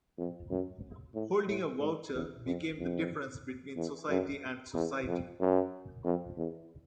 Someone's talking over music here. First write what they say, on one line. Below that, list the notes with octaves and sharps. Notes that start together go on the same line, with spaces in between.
Holding a voucher became the difference between society and Society.
F2
F#2
A2
A2
G#2
E2
F2
F2
E2
F#2
E2
F2
F#2
F2
E2